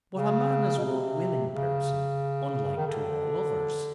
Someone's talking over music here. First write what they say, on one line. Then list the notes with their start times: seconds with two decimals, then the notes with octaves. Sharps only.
'But a man is one willing person, unlike to all others.'
0.16 C#3
0.78 B2
0.84 C3
1.51 C#3
2.77 D#3
2.87 D3